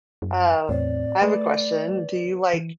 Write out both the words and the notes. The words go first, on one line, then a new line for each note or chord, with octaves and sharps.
Uh, I have a question, do you like
F#2
E2 A2 C4 C#5 D5
A3 B4
E3